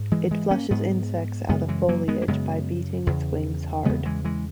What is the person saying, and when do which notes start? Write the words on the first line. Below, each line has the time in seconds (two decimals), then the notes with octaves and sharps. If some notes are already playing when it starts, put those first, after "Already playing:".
It flushes insects out of foliage by beating its wings hard.
Already playing: G#2
0.11 E3 G#3
0.31 E3 G#3
0.51 A#3 C#4
0.71 G#2 G#3 B3
1.49 F#2 C#3 G#3 B3
1.69 E3 G#3
1.89 F#3 A#3
2.08 G#3 B3
2.22 A#3
2.28 F#2 C#3 G#3 B3
3.07 E2 C#3
3.85 E2 C#3 G#3 B3
4.05 E3 G#3
4.25 E3 G#3